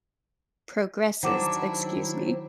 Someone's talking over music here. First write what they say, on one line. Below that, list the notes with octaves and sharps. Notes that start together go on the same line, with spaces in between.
progresses, excuse me.
D#3 F#3 D4 E4 C5 F#5 D6 E7